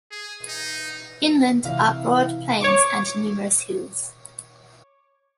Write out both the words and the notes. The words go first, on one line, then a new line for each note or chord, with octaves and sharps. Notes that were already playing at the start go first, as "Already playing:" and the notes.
Inland are broad plains and numerous hills.
G#4
D#4
C3 E3 E4 F5
C#5 C#6 D6